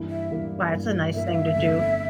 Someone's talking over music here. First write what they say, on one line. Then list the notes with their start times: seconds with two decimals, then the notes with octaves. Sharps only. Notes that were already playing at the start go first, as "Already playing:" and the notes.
Well, that's a nice thing to do.
Already playing: G2 E3 A#3 E4 A#4
0.10 E5
0.31 G2 E3 A#3 E4 A#4
0.72 G2 E3 A#3 E4 A#4
1.14 G2 E3 A#3 E4 A#4 E5
1.28 F5
1.35 E5
1.55 G1 F2 D3 A3